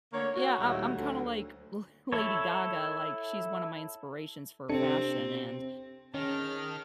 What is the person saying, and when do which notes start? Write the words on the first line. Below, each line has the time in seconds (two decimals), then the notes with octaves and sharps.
Yeah, I'm I'm kinda like, La Lady Gaga, like, she's one of my inspirations for fashion and,
0.13 D3 A3 A#3 C#5
0.35 F#4
0.59 D#2 A#2 G3 A3 F#4 C#5
0.96 D2 F#3
2.12 E4 A4 C#5
4.69 C3 C4 D4 A4 C#7
6.14 D#3 C#4 G#4 A5 F6